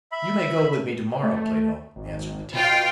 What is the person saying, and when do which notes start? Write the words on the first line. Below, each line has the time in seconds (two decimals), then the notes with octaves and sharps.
"You may go with me to-morrow, Plato," answered the teacher.
0.12 E5 B5
1.23 A3
1.96 G#1
2.54 B2 F4 G5